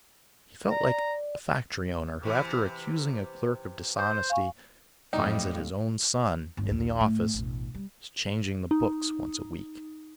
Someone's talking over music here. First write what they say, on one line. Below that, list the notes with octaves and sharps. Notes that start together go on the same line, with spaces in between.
He felt like a factory-owner who after accusing a clerk of dishonesty finds that his own son, in the office, is changing the books once a week.
D5 A#5
C3 E3
C5
F5 G#5 C#6
F2 A2 F#3 G3 D#4
G1 D#2
A#1 D#2
A2
E1 A1
G3
D#4